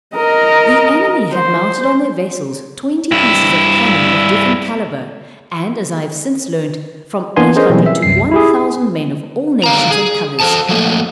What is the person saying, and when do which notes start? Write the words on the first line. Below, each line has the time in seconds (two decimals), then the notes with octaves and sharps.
The enemy had mounted on their vessels twenty pieces of cannon of different calibre; and as I have since learnt, from eight hundred, to one thousand men of all nations and colors.
0.15 A#4 D#5
1.33 C5
3.11 G2 E4
7.36 E3 A#3 B3 D4 G#5 C6
7.56 C#4 G#4 A#4 C5 D#5
7.70 B2 E3 F#3 G3 C4
7.86 E5
8.02 C2 F#2 C7
8.31 E4 G4 G#4
9.64 D3 F5 A#5
9.91 G#4
10.40 A4 C5 A5
10.69 F3 F#3 A3 A#3